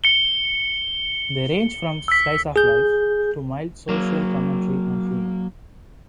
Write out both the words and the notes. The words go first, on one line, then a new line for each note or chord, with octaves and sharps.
They range from slices of life to mild social commentary and humour.
C#7 G7
E6 B6
G#4 G6
F#3 A#3